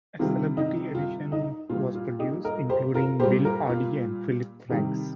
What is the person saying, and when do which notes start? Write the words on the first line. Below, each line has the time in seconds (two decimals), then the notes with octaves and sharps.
A celebrity edition was produced, including Bill Oddie and Phillip Franks.
0.19 C3 D#3 G3 F4
0.57 D#4
0.95 F4
1.32 D#4
1.69 A#2 G3 F4
1.95 F4
2.19 D#4 G4
2.44 A#4 D#5
2.69 G4 C5
2.94 F4 A#4
3.20 A#2 G3 G4 C5
3.45 F4 A#4
3.70 F4
4.69 C3 D#3 G3